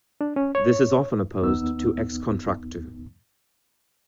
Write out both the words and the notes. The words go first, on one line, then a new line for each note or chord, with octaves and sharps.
This is often opposed to ex contractu.
D4
C#4
C#5
D#2 B3 D#4 E6